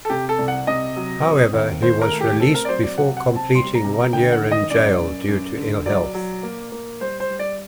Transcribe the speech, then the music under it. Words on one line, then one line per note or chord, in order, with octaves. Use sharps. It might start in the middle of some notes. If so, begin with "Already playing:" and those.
However, he was released before completing one year in jail due to ill health.
A4
C3 G4
A4
C2
F#5
C3 D#5
F#3
C4
D#2
D#2 C5
A#4
A3
G4
C4 A4
A#4
D5
F#3 C5
D5
C3 F#5
F#5
C4
A5
G3 C6
A#5
C3
A#5
D2 G5
F#5
D#3
D#5
F#2 D5
F#2
F#2
D3
F#3 D5
F#3
A#3
A#3
G3 C5
C5
G3
D5